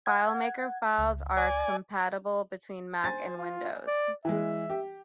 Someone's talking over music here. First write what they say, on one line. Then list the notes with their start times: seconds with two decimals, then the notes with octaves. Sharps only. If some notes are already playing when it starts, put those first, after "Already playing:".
FileMaker files are compatible between Mac and Windows.
0.06 F#5 G#6
0.98 C#2
1.37 D5 G#5
3.04 C5 G#5 A6
3.38 F4
3.88 D5
4.25 E3 G#3 E5
4.70 G4